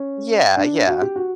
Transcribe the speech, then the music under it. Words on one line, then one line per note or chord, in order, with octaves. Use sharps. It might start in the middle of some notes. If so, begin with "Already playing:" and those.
Yeah, yeah.
Already playing: C#4
D4
F#4
G4
F#4